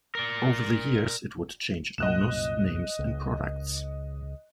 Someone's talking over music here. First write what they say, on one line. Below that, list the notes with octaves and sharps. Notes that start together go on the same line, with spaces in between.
Over the years it would change owners, names and products.
A#4 D5
C2 F#2 A#2 D#5 F#6 E7
C#2